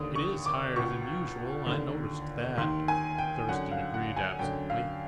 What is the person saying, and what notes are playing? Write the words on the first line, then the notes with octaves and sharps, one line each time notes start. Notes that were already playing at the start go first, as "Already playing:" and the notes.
"It is higher than usual; I noticed that," Thurston agreed absently.
Already playing: D#2 D3 D#6
C#6
D6
C#2 B2 C#6
D#2 D3
D#2 D#3 C6
G#5
G5
F#2 D3 F#5
F5
F#5
G#5
F#2 D3 G5
F5